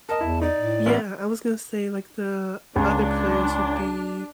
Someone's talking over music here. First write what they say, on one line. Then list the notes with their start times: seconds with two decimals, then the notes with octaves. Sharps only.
Yeah, I was gonna say, like, the other place would be,
0.09 A#4 D#5 A5
0.21 E2 E4
0.42 D#4 D5
0.57 A2
0.86 A1 B3
2.76 C#2 D4